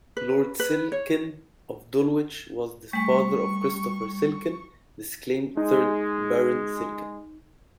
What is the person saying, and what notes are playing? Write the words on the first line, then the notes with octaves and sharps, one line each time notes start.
Lord Silkin of Dulwich was the father of Christopher Silkin, disclaimed third Baron Silkin.
B4
B4
C#5
G3 A3 G#5 C#6
G#3 D#4